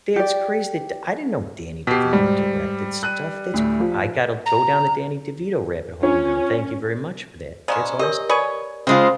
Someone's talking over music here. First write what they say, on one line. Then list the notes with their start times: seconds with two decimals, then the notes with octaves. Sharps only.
that's crazy, d I didn't know Danny DeVito directed stuff, that's cr I gotta go down the Danny DeVito rabbit hole now, thank you very much for that, that's awes
0.16 G4 D5
1.87 B2 G4 B6 C7
2.13 G#2 G3
3.03 F#6 D#7
3.53 D2 A2
3.79 F3
4.46 A#5
6.03 C#4 D4 F4 C#5
7.68 C#3 G#3 C#4 C5 D5 A#5
7.99 G4 A#4 C#5 D#5
8.29 G#4 B4 C#5 D5
8.87 C#3 G#3 C4 F4 C5